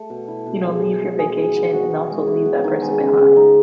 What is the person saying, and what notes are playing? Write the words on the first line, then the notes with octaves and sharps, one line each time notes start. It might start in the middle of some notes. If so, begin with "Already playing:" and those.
you know, leave your vacation and also leave that person behind.
Already playing: A3
B2
E4
B2
G#3
G#4
G#3
G#4
D#3
B3
F#4
F#4
G#3
E4
B3
D#3
G#3
C#3
C#3
D#4